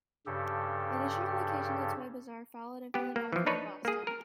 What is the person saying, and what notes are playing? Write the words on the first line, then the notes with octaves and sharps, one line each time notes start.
Additional locations of "Toy Bazaar" followed in Philadelphia and Boston.
G2 C#3 G4 A4
B3 G4
A#3
E3 F3
D4 D#4 B4 C#5
A#3 G#4
A#4